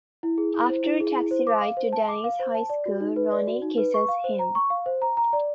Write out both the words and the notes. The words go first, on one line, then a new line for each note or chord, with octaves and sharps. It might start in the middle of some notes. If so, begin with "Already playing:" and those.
After a taxi ride to Danny's high school, Ronnie kisses him.
E4
G#4
E4
C5
E4
G#4
E4
C5
D6
F5
C5
A5
D6
F5
C5
A5
D5
F#4
D#4
B4
D5
F#4
D#4
B4
C#6
F5
C5
A#5
C#6
F5
C5
A#5
A#5
D5